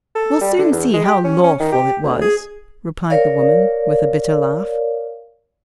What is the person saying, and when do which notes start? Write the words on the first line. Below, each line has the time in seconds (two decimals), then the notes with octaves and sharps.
"We'll soon see how LAWFUL it was," replied the woman, with a bitter laugh.
0.15 A4
0.41 G3
0.58 D3
0.72 E2
0.94 G#3
1.05 G4
1.24 C#4
1.44 C#4
1.60 D#3
1.72 G4
2.03 D2
2.21 G#4
3.10 A#4 C#5 D5 F5